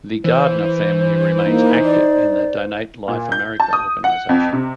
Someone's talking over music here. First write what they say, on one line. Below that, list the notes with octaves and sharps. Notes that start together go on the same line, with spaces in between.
The Gardner family remains active in the Donate Life America organization.
E3 C5
A#3 D#4
D5
A#2
G6
A5
D#6
F#5
F2
C3